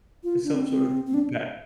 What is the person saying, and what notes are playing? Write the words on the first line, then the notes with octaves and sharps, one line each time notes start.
Some sort of m pa
F4
D4
C4
C4
C4
D4